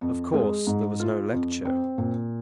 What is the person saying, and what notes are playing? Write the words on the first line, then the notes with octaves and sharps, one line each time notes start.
Of course there was no lecture.
F2
G#3
G#2
F4
F2
C4
A#2